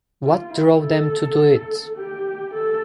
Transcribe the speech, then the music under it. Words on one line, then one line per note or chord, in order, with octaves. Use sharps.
What drove them to do it?
F4
E4
A4
G4
A4